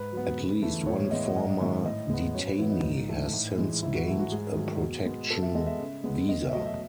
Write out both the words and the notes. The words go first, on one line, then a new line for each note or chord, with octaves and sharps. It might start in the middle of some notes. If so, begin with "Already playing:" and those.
At least one former detainee has since gained a protection visa.
Already playing: G#2 B4
F#3 B3
C#3
E3 A3
A2 C#5
C#5
E3 G#3 B3 D#5
C#5
G#2 D#5
D#3 G#3 E5
A2 D#5
G#3 B3
F#2 C#5
B4
E3 B3 E4
D#4
G#2
E3 A3
A2
E3 G#3
G#2 E4
F#4
E3 A3 E4
F#4
G#2 G#4
D#3 F#3 A3
B2
G#3 B3
B2 A4
E5
G#3 B3 D#5
E5
C#3
G#3 B3
E2 D#5
E5
B2 F#3 A3 D#5
E5